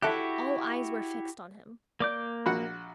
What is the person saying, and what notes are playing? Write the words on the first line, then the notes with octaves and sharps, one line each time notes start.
All eyes were fixed on him.
E4 F#4 G4 A4 E5 F#6
A#3 D5 D6 G6
A#1 F#4 F#5